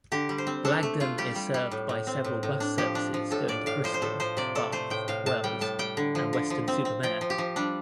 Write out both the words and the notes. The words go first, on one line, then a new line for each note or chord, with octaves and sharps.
Blagdon is served by several bus services going to Bristol, Bath, Wells and Weston-super-Mare.
D3 G4
G3
C5
C4
D4 A4
A3
A3 F4
G3 G4
G3
G3
A2
A2
C4
A2
A2
D4
F3 G4
D4
F3
A2 A4
A2 D5
A2 F5
F3 C5
C5
A2 A4
F3 C5
C3 D5
C3 A4
A3 C5
A2 G5
A2 F5
A2 A5
G3 G5
A2 A5
G3 G5
D3
F3
D3
F3
C4
C4
F3 G5
F3
G4
F3
G3 D4